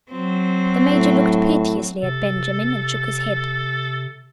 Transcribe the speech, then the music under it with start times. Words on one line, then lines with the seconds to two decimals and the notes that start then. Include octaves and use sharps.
The Major looked piteously at Benjamin, and shook his head.
0.10 F#3 C4
0.89 A2
2.03 C3 A4